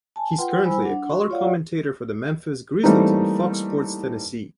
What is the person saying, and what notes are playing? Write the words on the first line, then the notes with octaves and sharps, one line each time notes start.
He is currently a color commentator for the Memphis Grizzlies on Fox Sports Tennessee.
G#5 A5
F4 B4 F#5 G5 C6
G3 E4 C5 G#5 B5 E6
D4 F#5
F#4 C6 C#6
F4 C#5 D5 F5 F#5
E3 G3 A3 A#3 C4 D#4